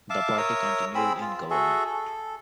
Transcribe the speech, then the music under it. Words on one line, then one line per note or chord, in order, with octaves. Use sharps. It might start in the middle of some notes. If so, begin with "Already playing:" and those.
The party continued in government.
E5 F5 A5 D6
A#4 C#5 E5 D#6
C4 G#4 B5 E6
F4
F#4 G#4 A4 E5
A4